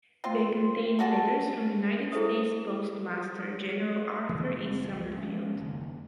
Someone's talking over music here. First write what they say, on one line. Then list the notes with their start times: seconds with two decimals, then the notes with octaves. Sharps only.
They contained letters from United States Postmaster General Arthur E. Summerfield.
0.24 C4 F4 C6
0.99 A3 F#4 G#5 A5
2.12 E4 G#4 A4 C5 E5 D#6
4.29 C3 E3 F3 A#3
4.51 F#1 C3
4.89 C2
5.16 F3 G#3 C#4
5.55 F#1 D#2